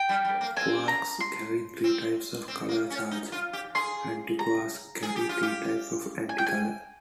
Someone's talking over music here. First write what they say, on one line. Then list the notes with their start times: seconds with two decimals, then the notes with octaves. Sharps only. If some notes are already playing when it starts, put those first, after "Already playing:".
Quarks carry three types of color charge; antiquarks carry three types of anticolor.
Already playing: G5
0.09 G3
0.25 G3
0.41 A#3
0.57 C4 G#5
0.88 A#5
1.20 C6
1.84 C4
2.48 C4
2.69 A#3
2.90 C#4
3.11 D#4
3.32 F4
3.53 G4
3.75 G#4 C6
4.39 A#5
5.03 G#4
5.16 G4
5.29 F4
5.43 G4
6.29 G#5
6.38 G5
6.47 G#5